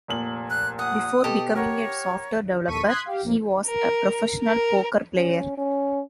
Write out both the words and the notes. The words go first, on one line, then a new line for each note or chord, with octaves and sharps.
Before becoming a software developer, he was a professional poker player.
F1 A#2 F#7
F#6
F#5 D#6
B2 G4 A4
A#4 C#5 F#5
A#1 D#2 A4 C#6 B6 D#7
C6 D#6 F#6 G#6 B6
G4 F5
A#1 F2 A#3
A#4
A#4
C#4
C#4